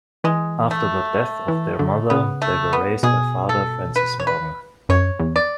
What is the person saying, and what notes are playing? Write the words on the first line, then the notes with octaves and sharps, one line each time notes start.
After the death of their mother they were raised by Father Francis Morgan.
E3 G#3
A3
E3
D3
C#3 B3
A3
B3
B2 G#4
A4
B4
C#5
B4
F#2 C#5
E2
D5